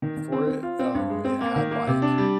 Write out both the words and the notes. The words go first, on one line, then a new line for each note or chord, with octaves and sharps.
for it, um, it had, like
D#3
D#3
C4
C4
F4
C4
G2
G#3
C4
A#3
D#3
A#3
C3
D4
G3